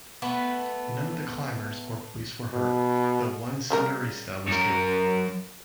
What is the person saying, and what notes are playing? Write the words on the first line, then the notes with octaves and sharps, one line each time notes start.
None of the climbers or police were hurt, though one Senderista was killed.
A3 B3 B4
B2
C#3 G3 A#4
F#2 A#4